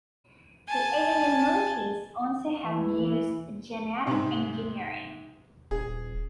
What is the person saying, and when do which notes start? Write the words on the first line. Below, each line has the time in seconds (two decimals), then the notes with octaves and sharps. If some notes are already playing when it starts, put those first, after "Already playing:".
The alien Moties also have used genetic engineering.
0.69 G#5 A5
2.64 E3
3.01 E3
4.07 G#2 C3
5.71 D#1 G#4